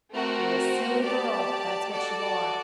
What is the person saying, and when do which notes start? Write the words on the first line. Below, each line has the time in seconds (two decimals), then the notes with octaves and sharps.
You're a silly girl, that's what you are!'
0.12 A3 C4 F#4 A#4
1.02 G4 D5 A5
1.91 F#4 A4 D5 A5